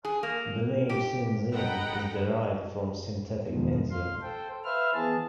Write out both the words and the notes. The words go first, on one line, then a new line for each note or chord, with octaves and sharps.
The name synzyme is derived from synthetic enzyme.
G#4
A#3
G4
A4 D#5 F#5 G5 A#5 B5
E2 G#2 B2 D#3 F3
F5 C6
A4 C5 G5
B4 C5 E5 F5 F6
E3 B3 G#4 A5